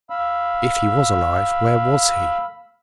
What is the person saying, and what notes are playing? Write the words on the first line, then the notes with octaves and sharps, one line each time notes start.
If he was alive, where was he?
F5 B5 E6